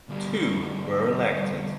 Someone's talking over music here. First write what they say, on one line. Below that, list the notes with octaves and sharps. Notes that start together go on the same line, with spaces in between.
Two were elected.
D2 G3